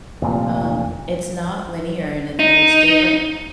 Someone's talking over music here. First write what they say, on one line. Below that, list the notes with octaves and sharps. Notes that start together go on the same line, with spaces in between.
um, it's not linear and it's and it's different
F1 A#2
D#4